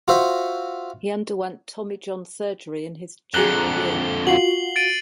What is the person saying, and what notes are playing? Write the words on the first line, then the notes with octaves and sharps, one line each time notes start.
He underwent Tommy John surgery his junior year.
F4 F#4 C5 E5
F2 D3 G#4 A#5 F#6 G7
F4 F#4 C7 F#7
A6 D7 D#7